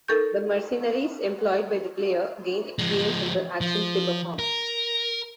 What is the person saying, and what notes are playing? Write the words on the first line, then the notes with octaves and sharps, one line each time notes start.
The mercenaries employed by the player gain experience from the actions they perform.
D#4 A4 A#4 C#6 G6
F3 G#3
F3
A#4